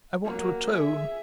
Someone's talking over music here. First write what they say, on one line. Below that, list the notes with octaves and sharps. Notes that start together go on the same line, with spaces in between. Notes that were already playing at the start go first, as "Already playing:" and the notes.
I want to atone.
F#3 A#3
G#4 E5